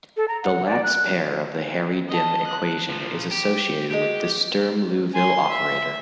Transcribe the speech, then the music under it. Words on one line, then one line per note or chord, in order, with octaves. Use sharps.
The Lax pair of the Harry Dym equation is associated with the Sturm-Liouville operator.
A4
A#5
F#5
D5
F#6
D#5 A5
F#6
A#2 F3
G4
G#3 F#4 G4 B4
G#5 C6
E5